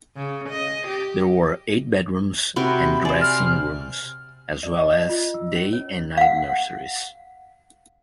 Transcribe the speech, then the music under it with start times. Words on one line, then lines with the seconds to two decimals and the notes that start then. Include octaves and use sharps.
There were eight bedrooms and dressing rooms as well as day and night nurseries.
0.16 C#3
0.49 D#5
0.88 G4
2.56 C3 F#4 A#4 B5
3.05 C5 D5 G#5
3.21 F6
3.40 C3
4.63 D5
4.78 D#5
4.92 D#5
5.09 F4
5.34 E6
5.55 C#4
5.73 C#5
6.17 F5 F#5